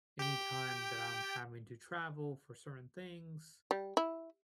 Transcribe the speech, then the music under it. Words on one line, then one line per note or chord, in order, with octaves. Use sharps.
any time that I'm having to travel for certain things,
G4 G5
G3
E4